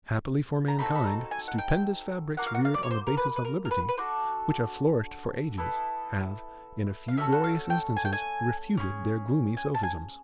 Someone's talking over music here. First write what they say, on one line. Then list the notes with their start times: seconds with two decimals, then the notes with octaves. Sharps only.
Happily for mankind, stupendous fabrics reared on the basis of liberty, which have flourished for ages, have, in a few glorious instances, refuted their gloomy sophisms.
0.68 A#5
0.78 C4 D#4 F#4 A4 B5
0.95 B5
1.05 A#5
1.31 G#5
1.48 F#5
1.58 G5
2.37 A#3 D4 F#4 F#5
2.46 F5
2.55 F#5
2.65 F5
2.74 D5
2.83 C#5
2.91 C5
3.07 A#4
3.17 B4
3.36 B4
3.45 A#4
3.65 A#4
3.71 B4
3.88 B4
3.97 D4 F#4 A4 C5
5.57 B3 E4 A4
7.08 F5
7.17 A3 C#4 F#4 A4 E5
7.32 F#5
7.44 F5
7.70 G5
7.97 G#5
8.05 G5
8.13 G#5
8.77 C#4 F4 G#4
9.57 G#5
9.74 A5
9.83 G#5